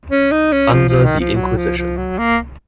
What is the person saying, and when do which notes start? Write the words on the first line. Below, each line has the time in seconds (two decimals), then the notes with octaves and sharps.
Under the Inquisition.
0.11 C#4
0.31 D#4
0.52 C#4
0.72 F3
0.88 F3
1.05 D#3
1.20 F3
1.35 F#3
1.57 F3
1.77 F3
1.97 F#3
2.18 A#3